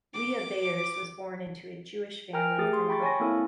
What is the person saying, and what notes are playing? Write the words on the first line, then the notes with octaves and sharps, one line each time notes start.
Lea Bayers was born into a Jewish family from Brooklyn.
D6
A#4 G5 G#5 A#5 F6
A3 G4 G#4 D#6 A6
C6
G5 B5 C#6 A6
C#5 G#5 C#6 A#6
A#3 C4 E4 A4 G#5